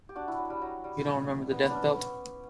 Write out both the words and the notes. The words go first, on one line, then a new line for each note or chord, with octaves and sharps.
You don't remember the Death Belt?
G4
D4 F#4
E4
F#3
G3
F#3
G3
B3
C#4 D4